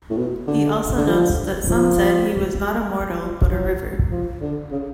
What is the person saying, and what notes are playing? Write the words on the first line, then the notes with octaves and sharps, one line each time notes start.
He also notes that some said he was not a mortal, but a river.
A2
B2
D3
D3
F3
F3
F#3
F3
D3
C#3